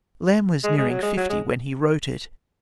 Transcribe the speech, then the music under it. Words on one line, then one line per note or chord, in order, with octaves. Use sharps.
Lamb was nearing fifty when he wrote it.
G#3
G#3
F#3
G#3
F#3
G#3